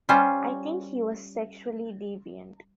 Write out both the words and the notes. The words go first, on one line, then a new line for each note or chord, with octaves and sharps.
I think he was sexually deviant.
G3 C#4 F4 C5